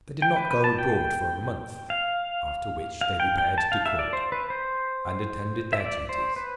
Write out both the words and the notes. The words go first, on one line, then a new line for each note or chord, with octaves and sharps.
They did not go abroad for a month, after which they repaired to court, and attended their duties.
G5
B4
B4
A5
G5
F5
F5
G5
G5
A5
F5
E5
D5
C5
B4
C5
E5
D5
C5
B4